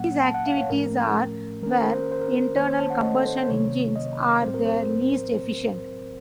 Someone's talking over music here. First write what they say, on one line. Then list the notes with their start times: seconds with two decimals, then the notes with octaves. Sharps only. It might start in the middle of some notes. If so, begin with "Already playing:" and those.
These activities are where internal combustion engines are their least efficient.
Already playing: A#2 F#3 A#3 C#4 F#5
0.22 A5
0.34 F#5
0.46 F5
0.58 C#5
0.70 A2 F3 A3 C#4 A#4
1.63 D#3 A#3 C#4 A#4
1.73 C5
1.82 A#4
1.93 C5
2.02 A#4
2.12 C5
2.21 A#4
2.56 D#3 A#3 C#4 C5
2.67 C#5
2.79 A5
2.90 F#5
3.02 D#5
3.14 A4
3.26 C5
3.38 C5
3.49 C3 D#3 F#3 A#3 C#4 C#5
3.96 D#5
4.42 A2 F#3 C4 C5
4.54 A#4
4.65 C5